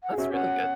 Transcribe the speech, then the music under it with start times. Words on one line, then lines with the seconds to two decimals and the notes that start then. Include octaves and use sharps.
That's really good.
0.03 F#5
0.13 G#4
0.18 C#4 F#4 E5
0.33 C#4 F#5